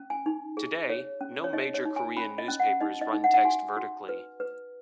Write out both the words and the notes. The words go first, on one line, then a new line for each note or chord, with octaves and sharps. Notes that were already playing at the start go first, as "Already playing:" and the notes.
Today, no major Korean newspapers run text vertically.
Already playing: C#4
G#5
D#4
G#4
C#5
C#4
C#5
D#4 D#5
C#5
D#4
G#5
C#4 B5
D#5
C#4
F#5
D#4 D#5
D#5
D#4
F#5
F#5
F#4 G#5
F#4
B4
B4